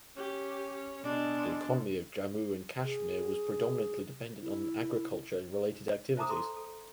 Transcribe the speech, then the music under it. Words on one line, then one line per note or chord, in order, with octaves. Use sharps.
The economy of Jammu and Kashmir was predominantly dependent on agriculture and related activities.
C#4 G4
B2 G#3 D4 D5
G#4
E4
C5 E5 A5 A#5 D6 D#6
A4 C6
A4